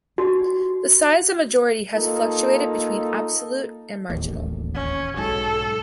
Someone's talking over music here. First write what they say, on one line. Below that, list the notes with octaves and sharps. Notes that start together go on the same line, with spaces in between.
The size of majority has fluctuated between absolute and marginal.
F#4
A#3 D#4 F4 A4
D1 A1 D#2
C#4
B1 G#2 A4